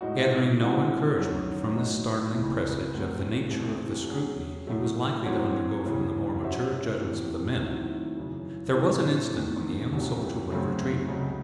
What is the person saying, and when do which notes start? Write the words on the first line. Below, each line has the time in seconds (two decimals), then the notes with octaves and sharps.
Gathering no encouragement from this startling presage of the nature of the scrutiny he was likely to undergo from the more mature judgments of the men, there was an instant when the young soldier would have retreated.
0.01 A2 G#3 D#4 F#4
0.60 E3 G#3 C4 F#4
1.18 F#2 D#3 F#3 C#4
1.75 F#3 A3 D#4
2.34 C#2 C#3 E3 C4 E4
2.92 A2 F#3 A3 C4
3.51 C2 C3 E3 A3 C4
4.09 F#3 C#4 G#4
4.67 A2 F#3 A3
5.25 F#2 E3 C4 F#4 C#5
5.84 D#2 C#3 E3
6.42 F#3 C#4 F#4 C5 E5
7.01 E2 C3 E3
7.59 D#3 F#3 A3 C4 E4
8.17 F#2 C#3 E3
8.75 A2 E3 C4 E4
9.34 E2 D#3 A3
9.92 C2 C3 F#3 C#4
10.50 F#2 C#3 F#3 A3 C4
11.08 C#2 C#3 F#3 A3